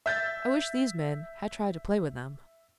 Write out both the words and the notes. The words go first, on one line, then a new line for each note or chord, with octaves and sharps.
I wish these men had tried to play with them.
E5 G6 A6